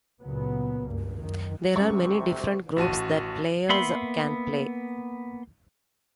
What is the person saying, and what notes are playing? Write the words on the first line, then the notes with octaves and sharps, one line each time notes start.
There are many different groups that players can play.
C#2 A#2 C#3 F#3 B3
C#2 G2 A#3
F#2 D#3
D2 C3 G3 C#4 C#6
A1 F#4 A5 D#7
A#3 B3 E5 B5 C6